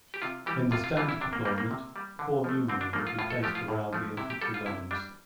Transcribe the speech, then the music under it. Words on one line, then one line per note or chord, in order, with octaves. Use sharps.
In the standard deployment, four Numeri would be placed around the infantry lines.
G4
C3 F4
E3 G3 G4
C3 F4
F4
E3 G3 F4
E4
C3 D4
A#3
G3 A#3
A#3
C3
G3
D3
F3 A3
D3 C4
D4
F3 A#3
A3
F4
A2 F4
A4
F3 A3 G4
F4
A2
F3 A3
C3 E4
G4
G3 A4
F4
C3 E4
G3 D4